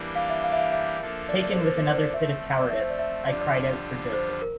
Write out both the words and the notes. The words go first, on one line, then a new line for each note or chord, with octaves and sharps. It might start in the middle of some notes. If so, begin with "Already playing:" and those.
Taken with another fit of cowardice, I cried out for Joseph.
Already playing: E3 G3 A#3 D4 G4
F5
E5
F5
E5
F5
E5
F3 A#3 D4 A4
D5
D5
C5
A#4
C5
D5
C5
D5
F3 A3 C4 E5
D5
E5
C5
D5
E5
F2 D3 G3 D4 F4 D5
D5
C5
A#4